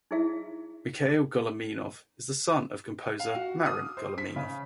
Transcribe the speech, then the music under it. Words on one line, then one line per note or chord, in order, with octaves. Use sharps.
Michail Goleminov is the son of composer Marin Goleminov.
D#4 E4 G#4 E5 F5
F5
F#4
D#6
C5
B6
C#3